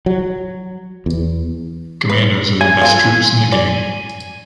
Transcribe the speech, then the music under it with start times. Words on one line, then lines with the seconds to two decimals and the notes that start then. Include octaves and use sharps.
Commandos are the best troops in the game.
0.06 F#3
1.06 E2
2.10 B4
2.61 C#3 G#5
2.82 B3 F4 A4
3.52 D5